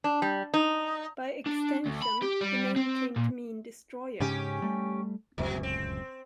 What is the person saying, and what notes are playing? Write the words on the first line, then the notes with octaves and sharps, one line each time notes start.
By extension, the name came to mean 'Destroyer.
D4
G3
D#4
D4
D2
B5
G4
G3
C4
A#2
G#2 C#3 C#4 G4
G3 A3
D1 C#2 F#2 B2
C4